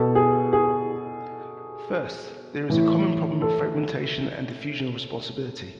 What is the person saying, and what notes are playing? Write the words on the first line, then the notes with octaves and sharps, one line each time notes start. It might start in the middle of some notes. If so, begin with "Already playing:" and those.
First, there is the common problem of fragmentation and diffusion of responsibility.
Already playing: B2 A4
G#4
G#4
A2 E3
A4